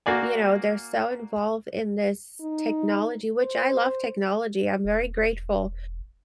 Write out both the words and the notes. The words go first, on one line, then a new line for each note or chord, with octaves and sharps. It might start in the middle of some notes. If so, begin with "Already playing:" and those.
you know, they're so, involved in this technology which I love technology, I'm very grateful
A#3 F#4 D5 G#5
D#4
C5
E1